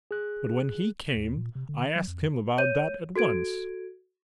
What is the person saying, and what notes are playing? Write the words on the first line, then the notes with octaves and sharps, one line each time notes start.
But when he came, I asked him about that at once.
G#4 F#6
D#2
A#2
C3
D3
F#3
F2
C#5 G6 D#7
F#4 A4 G#6 D7